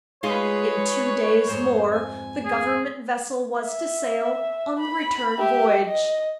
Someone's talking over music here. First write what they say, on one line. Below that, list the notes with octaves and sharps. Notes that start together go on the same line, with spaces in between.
In two days more the Government vessel was to sail on the return voyage.
G#3 D#4 F4 G#4 B4 C#5
F2 G#2 C5
G#5
G#4
E5
B5
G4 E5
D#5